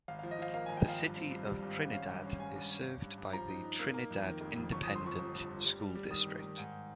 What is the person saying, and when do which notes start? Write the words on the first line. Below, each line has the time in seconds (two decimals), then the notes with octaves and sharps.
The City of Trinidad is served by the Trinidad Independent School District.
0.08 G#1 F5
0.19 F5
0.23 F3
0.31 D#5
0.39 F3 F5
0.54 A#3 F5
0.66 G#5
0.69 G#1
0.77 G5
0.85 F3 F5
1.01 G2
1.16 C4
1.31 G2
1.47 G3
1.63 G#1
1.77 G#1
1.93 C#4 F5
2.09 G2
2.25 C#4
2.40 G2 G#5
2.55 G2
2.71 C#4
2.86 G2
3.02 G2
3.18 G2
3.33 F3 A#5
3.48 D#4
3.64 D#4
3.79 A#3
3.94 A#3
4.10 F2
4.26 D#3
4.40 F1
4.57 F2
4.72 G1 C#6
4.83 D#6
4.87 F3
4.96 C6
5.03 F3 C#6
5.19 G1
5.34 G2
5.49 G2
5.65 G3
5.80 G3
5.96 G3
6.11 D#3 D#6
6.27 D#3
6.42 D#3
6.58 G#2